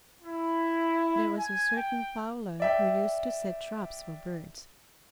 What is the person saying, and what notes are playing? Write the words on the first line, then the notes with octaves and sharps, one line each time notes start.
There was a certain fowler who used to set traps for birds.
E4
G#5
G5
D5 E5 G5